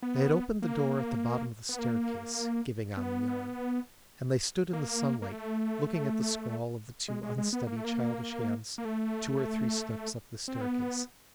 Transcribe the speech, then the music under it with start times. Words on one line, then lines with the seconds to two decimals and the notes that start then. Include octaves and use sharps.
They had opened the door at the bottom of the staircase giving on the yard, and they stood in the sunlight, looking at the scrawl of the two unsteady childish hands two or three steps up the staircase.
0.02 B3
0.62 A#3
1.69 B3
1.79 A#3
2.97 B3
4.73 A#3
5.22 A#3
5.32 A3
7.08 G#3
7.23 G#3
7.38 G#3
7.53 B3
7.67 A#3
7.76 A3
7.84 A#3
8.78 A#3
8.85 A3
10.48 C4
10.61 B3